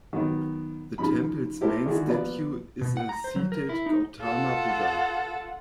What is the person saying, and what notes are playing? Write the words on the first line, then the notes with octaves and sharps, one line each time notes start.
The temple's main statue is a seated Gautama Buddha.
D#3 F#3 B3
C#3 F3 D#4 B5
E4 G4 A4 A#4 C5
D3 D#3 E4 F#4 G#4
F3 A#3 B3 F4 B4 D5
B2
F#5
A#5
C5
F#3
A#4
E4
D#4
F4 A4 F#5